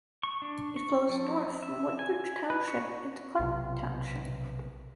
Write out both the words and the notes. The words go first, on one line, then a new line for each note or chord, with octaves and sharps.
It flows north from Woodbridge Township into Clark Township.
C#6
D4
C#6
F3
E5
G#5
B4
C#6
B1 C3